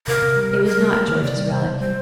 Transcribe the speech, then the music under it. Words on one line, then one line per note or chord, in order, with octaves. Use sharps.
It was not George's relic.
C3 A#4
C3
G3
C3
G3 A#4
A#3
A#3
D3
C3 D5
G3
C3 C5
C3
G3 C5